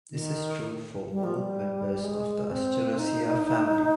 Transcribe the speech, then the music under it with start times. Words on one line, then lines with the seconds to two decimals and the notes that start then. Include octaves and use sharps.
This is true for all members of the Asteraceae family.
0.11 D3
0.16 D#3
1.10 G3
1.24 F3
1.37 G3
2.04 G#3
2.51 C4
2.98 D#4